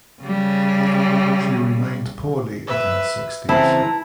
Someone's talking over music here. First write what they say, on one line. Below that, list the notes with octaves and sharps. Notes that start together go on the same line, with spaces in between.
She remained poorly at her sixties.
C#3 G3
B4 E5
C#3 E3 C4 E4 B4 A5 A#5